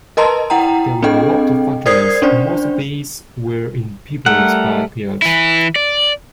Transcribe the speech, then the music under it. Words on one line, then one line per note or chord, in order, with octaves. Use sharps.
There were a lot of factories; most of these were in people's backyards.
A#4 B4 D#5 A5 A#5 C6
E4 F#5 G5 A#5
C4 D4 G#4 A4 D#5 G5
A#4 C5 D5 D#6 G#6 C7
C#4 D4 C5 D5
G3 A3 A#4 F#5
E3 E4
D5